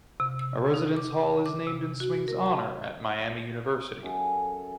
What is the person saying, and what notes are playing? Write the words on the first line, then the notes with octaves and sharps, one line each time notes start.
A residence hall is named in Swing's honor at Miami University.
C3
E6
D#4
D6
D6
C3
F#4
A#4
A5
F#2 G#4 A4 A5